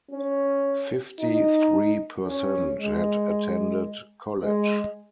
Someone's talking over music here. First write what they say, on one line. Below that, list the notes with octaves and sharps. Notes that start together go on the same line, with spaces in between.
Fifty-three percent had attended college.
C#4
D#4
C#4
G#3
G#3